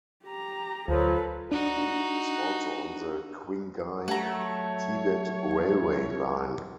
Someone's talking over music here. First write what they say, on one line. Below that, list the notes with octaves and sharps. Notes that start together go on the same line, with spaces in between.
Nagqu is also on the Qinghai-Tibet railway line.
G4 A#5
D2 F3 F#3 A4 B4
D4 D#4 F#4
F#3 A3 C#5 F#5 A#5